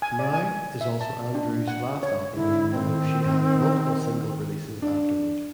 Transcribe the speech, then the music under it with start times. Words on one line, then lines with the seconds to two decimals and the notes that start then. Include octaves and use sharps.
"Now" is also Andrews' last album, although she had multiple single releases afterward.
0.02 G#5
0.19 D5
0.33 G#5
0.81 E5
1.01 A5
1.35 D4
1.68 F#5
2.03 C#5
2.34 G#2 D3 E4
2.71 D#3 C4
4.82 D4